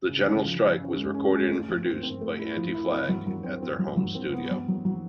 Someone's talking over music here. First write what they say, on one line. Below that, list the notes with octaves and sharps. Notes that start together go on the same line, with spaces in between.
The General Strike was recorded and Produced by Anti-Flag at their home studio.
C#3
C#3
F3
F3
C#4
G#3
C#4
G#3
A3
F3
C4
C4
A3
E4
F3
E4
C4
F#3
F#3
C4
C4
F#3
F#3
C4
B3
F#3
F#3
F#3